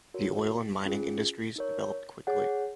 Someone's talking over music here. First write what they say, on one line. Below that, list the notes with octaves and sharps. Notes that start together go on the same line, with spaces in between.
The oil and mining industries developed quickly.
F#4 A#4 C#5
C#4 F4 G#4
D#4 A#4 C#5
G#4 C#5 F#5